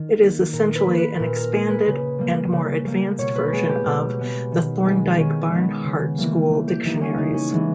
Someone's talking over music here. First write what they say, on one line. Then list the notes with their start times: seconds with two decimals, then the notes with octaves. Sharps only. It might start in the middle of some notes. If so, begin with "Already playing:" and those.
It is essentially an expanded and more advanced version of the Thorndike-Barnhart school dictionaries.
Already playing: D#3
0.20 A#3
0.53 A#2 A#4
0.75 B4
0.87 A#3
0.98 B4
1.19 A#2 A#4
1.36 A#4
1.53 A#3 G#4
1.70 B4
1.87 C#3
2.19 G3 A#3
2.52 C#3
2.85 G3 A#3
3.18 B2 C#5
3.36 B4
3.53 G#3 B3 G#4
3.69 G4
3.86 B2
4.19 G#3 B3
4.52 D#3
4.85 G#3 B3
5.18 D#3 C#4
5.52 G#3 B3
5.84 C#3
6.18 E3 G3 A#3
6.51 C#3
6.68 G4
6.85 E3 G3 A#3 D#4
7.01 C#4
7.18 C#3 D#4
7.34 C#4
7.51 E3 G#3 B3